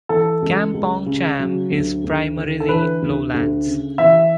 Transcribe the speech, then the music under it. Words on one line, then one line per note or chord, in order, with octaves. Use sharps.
Kampong Cham is primarily lowlands.
E3 A4
C#2
C#2
C#3
F#3
D2
D2
D3
A4
E3 B4
D2
D2
C#3
E3 E5